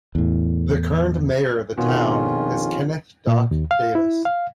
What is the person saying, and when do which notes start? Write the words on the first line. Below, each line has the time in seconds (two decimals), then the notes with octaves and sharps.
The current mayor of the town is Kenneth "Doc" Davis.
0.15 E2 A2
1.78 A#1 F2 B2 D#3 C#4 F4
3.27 A#2
3.51 D#2
3.71 F5
3.95 E4
4.25 F5